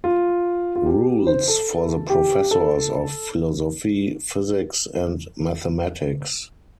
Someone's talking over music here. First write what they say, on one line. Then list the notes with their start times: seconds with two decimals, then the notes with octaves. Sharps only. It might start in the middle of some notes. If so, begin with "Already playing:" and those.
Rules for the professors of philosophy, physics, and mathematics.
0.04 F4
0.76 F4
0.86 G4
1.27 C5
1.48 A4
2.10 G4
2.51 A4